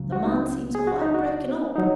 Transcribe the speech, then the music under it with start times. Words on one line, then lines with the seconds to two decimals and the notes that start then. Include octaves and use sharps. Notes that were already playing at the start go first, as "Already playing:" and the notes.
'The man seems quite broken up.
Already playing: C#2 C#3 F#3
0.12 F#4
0.24 D#4
0.75 G#4
0.87 F#4
1.01 D#4
1.14 F#4
1.76 F#3 D#4